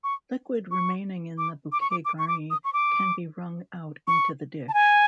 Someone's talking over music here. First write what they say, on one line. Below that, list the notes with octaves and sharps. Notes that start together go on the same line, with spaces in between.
Liquid remaining in the bouquet garni can be wrung out into the dish.
C#6
C#6
D6
D6
C#6
D6
D6
C#6
D6
D#6
C#6
D6
C#6
A5
G#5